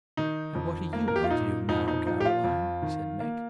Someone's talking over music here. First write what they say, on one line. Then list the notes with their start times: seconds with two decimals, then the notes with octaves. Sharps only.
"And what are you going to do now, Caroline?" said Mick.
0.17 D#3 D#4
0.55 F2
0.93 A#3
1.08 A#4
1.16 G4
1.24 F4
1.31 A#2 D#4
1.69 F2 D#4
1.88 D#4
2.06 F3 D#4
2.20 G4
2.25 F4
2.44 F2
2.82 D#3
3.20 A#3